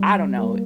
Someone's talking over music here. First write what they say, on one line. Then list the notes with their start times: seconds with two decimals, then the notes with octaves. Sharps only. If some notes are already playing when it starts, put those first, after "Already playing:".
I don't know.
Already playing: G3
0.38 A#3